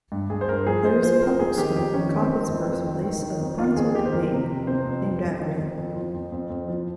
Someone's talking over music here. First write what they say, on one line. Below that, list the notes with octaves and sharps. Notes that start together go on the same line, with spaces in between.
There is a public school in Coffin's birthplace of Brunswick, Maine, named after him.
G2
G2 G#4
C5
G2 A#4
F3 G#4
F3 C5
F3 C5
F3 A#4
F2 G#4
D#3 G4
F2 G4
D#3 C#4
D#3
C4
D#3
F2
F2
D#3
D#3
D#3
F2
D#3 F4
F2 G#4
D#3 G4
C5
F2 A#4
C3
F2
C3 C5
F2
F2
F2
D#3
F2
F2
F3
F2
F2
F2
F3